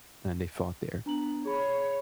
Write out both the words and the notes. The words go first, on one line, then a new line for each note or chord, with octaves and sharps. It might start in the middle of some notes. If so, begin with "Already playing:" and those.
and they fought there
B3 D4 A#5 F#7
G#4 C#5 B5